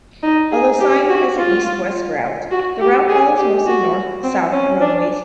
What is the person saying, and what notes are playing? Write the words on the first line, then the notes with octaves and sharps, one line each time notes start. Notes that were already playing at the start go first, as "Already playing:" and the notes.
Although signed as an east-west route, the route follows mostly north-south roadways.
D#4
G#4
G4
F#4
F4
F#4
G4
G#4
G4
F#4
C4
C#4
D4